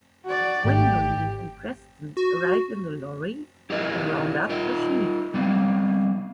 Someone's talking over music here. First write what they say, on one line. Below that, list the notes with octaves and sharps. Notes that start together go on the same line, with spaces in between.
Wendolene and Preston arrive in the lorry and round up the sheep.
F#4 D5
G#1 A3 G4
F#4
E4 G4 G#4 A#4 D#5 E5
D#4 F4 A#4 D#5
G3 B3 C4